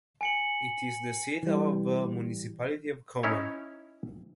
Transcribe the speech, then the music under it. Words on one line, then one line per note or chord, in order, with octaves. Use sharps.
It is the seat of the Municipality of Komen.
G#5 C#7 F#7
E3 G3
C#4 D#4 E4 C#5